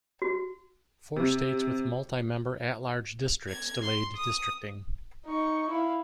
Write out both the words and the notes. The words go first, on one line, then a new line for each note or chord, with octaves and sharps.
Four states with multi-member at-large districts delayed districting.
F#4
C3
G#6
C6
D#6
D#4 C#6
E4 F5